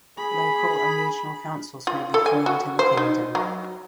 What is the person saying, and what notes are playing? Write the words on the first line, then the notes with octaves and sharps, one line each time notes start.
Local and regional councils may be formed in the Kingdom.
G#4 B5
F4
A4
G#5
F#4
C5
D#4
F#3